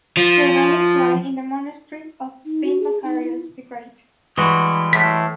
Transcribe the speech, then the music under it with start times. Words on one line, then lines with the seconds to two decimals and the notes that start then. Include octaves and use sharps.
Their relics lie in the Monastery of Saint Macarius the Great.
0.17 F3
2.46 D#4
2.65 F#4
2.81 G#4
3.04 D#4
3.21 E4
4.37 E3 G3 G#3 F#4
4.93 A2 B6